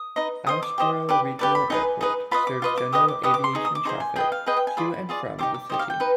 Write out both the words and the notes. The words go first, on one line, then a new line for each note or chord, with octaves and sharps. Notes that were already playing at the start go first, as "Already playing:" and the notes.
Asheboro Regional Airport serves general aviation traffic to and from the city.
Already playing: D#6
D#4 B4 D#5
G4 C5 D#5 D#6
D6
G4 C5 D#5
G4 B4 D5
G4 B4 D5
B5
D#4 G#4 B4 G#5
D#4 G#4 B4
F4 B4 D#5 B5
D6
F4 B4 D#5
D6
G4 B4 D#5 D#6
D6
G4 B4 D#5 D#6
D6
C6
D#4 G#4
D#6
D6
D#4 G#4 C5 C6
G#5
G#4 B4 D#5 G5
F5
G#4 B4 D#5 G5
G5
G#5
F4 G#4 D5 B5
F4 G#4 D5
D#4 G4 C5 D6
D6
D#4 G4 C5 D#5
F5
G5
D#4 B4